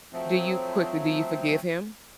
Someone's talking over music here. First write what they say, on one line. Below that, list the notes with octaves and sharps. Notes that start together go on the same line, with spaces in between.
Do you- quickly- do you forgive him?
F3 F#3 A3 C4